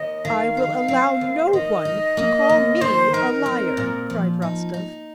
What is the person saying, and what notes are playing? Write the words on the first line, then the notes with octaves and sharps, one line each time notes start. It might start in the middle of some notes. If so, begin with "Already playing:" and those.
"I will allow no one to call me a liar!" cried Rostov.
Already playing: D#2 D#5
D#3 F5
D#4
C4
D#2
C5
D#3 D#5
D#4
A#3
D#2
D#3 C5
D#4 A#4
C4
A#2
F3
D#4
D#4